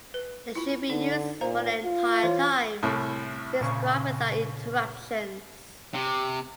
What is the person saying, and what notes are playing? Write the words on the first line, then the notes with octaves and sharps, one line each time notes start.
They should be used for the entire time prescribed without interruptions.
B4
E4 F4 B5
D3 D#4
A#2 C5 F5 A#5
F4
E3 E4 C#5
C2 A2
A#2 C#3 C#6
C3